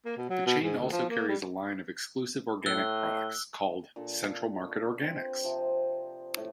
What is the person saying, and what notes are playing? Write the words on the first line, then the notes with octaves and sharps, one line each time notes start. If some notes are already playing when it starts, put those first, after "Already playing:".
The chain also carries a line of exclusive organic products called "Central Market Organics".
A#3
B2
F#3
B2
G#2
D2
F3
A#3
G3
A2 E6 F#6 G7
A#2 D4 A4
C4 B4
C3 F3
A2